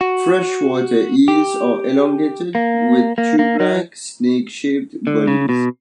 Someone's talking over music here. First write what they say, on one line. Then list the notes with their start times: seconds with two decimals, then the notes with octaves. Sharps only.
Freshwater eels are elongated with tubelike, snake-shaped bodies.
0.01 F#4
1.28 G4
2.55 A#3
3.18 A#3
3.39 A#3
3.60 F#3
5.07 D3
5.28 C#3
5.49 B2